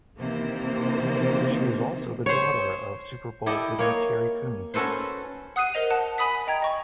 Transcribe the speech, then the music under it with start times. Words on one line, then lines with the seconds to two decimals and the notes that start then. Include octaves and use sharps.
She is also the daughter of Super Bowl winner Terry Kunz.
0.19 C3 D#3 E3 A#3 C5
2.26 C5 C#5
3.46 E4 G4 A4 D5 D#5
3.79 A#3 C#5 D#5
4.74 C#4 F#4 A4 B4 C5
5.56 F#5 D#6 F#6 C7 D#7
5.74 A#4 C5 D#5 F7
5.90 F#5 A5 F#6
6.18 G#5 B5 D#6 B6
6.47 D#5 G5 A#5 G#6
6.62 D#5 C#6